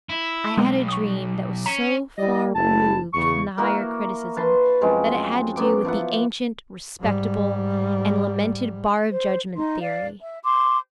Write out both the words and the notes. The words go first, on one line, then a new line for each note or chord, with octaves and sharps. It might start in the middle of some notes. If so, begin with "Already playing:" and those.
I had a dream that was so far removed from the higher criticism that it had to do with the ancient, respectable, and lamented bar-of-judgment theory.
E4
B1 G#3 B3 C4
C#6 D#6
C#4 A#5 B6 E7
G3 E4 D5 D#5
F#1 E4 A5
E2 C#3 C#6
A#3 E4 F#4 A#4
B4 A5 C6
F#2 F3 G#3 C4
F#2 B3 D6
F3 E4 F#5
G#2 G3
C5
D#4 C6
D5 F5
E5
C6 D6